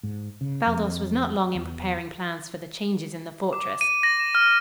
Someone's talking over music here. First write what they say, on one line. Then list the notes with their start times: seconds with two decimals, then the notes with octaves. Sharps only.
Baldos was not long in preparing plans for the changes in the fortress.
0.03 G#2
0.41 C#3
0.67 F2
1.55 E2
3.53 D6
3.81 D#7
4.03 A#6
4.20 E7
4.35 F6